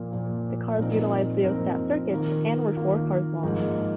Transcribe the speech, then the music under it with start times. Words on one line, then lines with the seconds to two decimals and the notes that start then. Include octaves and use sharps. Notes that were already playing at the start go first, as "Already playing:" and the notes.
The cars utilized rheostat circuits and were four cars long.
Already playing: A#2 F3 A#3
0.11 A#2 F3 A#3
0.78 A#2 F3 C4 D#4 A#4
1.44 A#2 F3 C4 D#4 A#4
2.10 D#3 A#3 F4 A#4
2.77 D#3 A#3 F4 A#4
3.43 G#2 F3 A#3 D#4